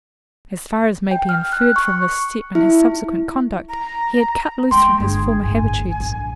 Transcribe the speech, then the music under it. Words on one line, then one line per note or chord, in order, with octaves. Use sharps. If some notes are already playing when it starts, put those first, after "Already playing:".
As far as may be inferred from this step and his subsequent conduct, he had cut loose from his former habitudes.
G5
F6
F#6
C#6
E4
A#5
G#3 A#3 G5 C6
G1 G#4
G1 A2 G#5
A#1